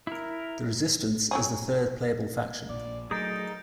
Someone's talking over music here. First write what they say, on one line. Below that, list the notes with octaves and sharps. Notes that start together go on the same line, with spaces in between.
The Resistance is the third playable faction.
E4 A#4
F#3 C#4 G#4
A#1 A#2 D5
F#3 A3 D#4 G#4 A#4 G6 A6 D7